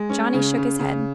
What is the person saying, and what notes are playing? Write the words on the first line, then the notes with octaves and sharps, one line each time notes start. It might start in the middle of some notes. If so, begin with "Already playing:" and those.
Johnnie shook his head.
Already playing: G#3
C#4
C#3
C#3
C#3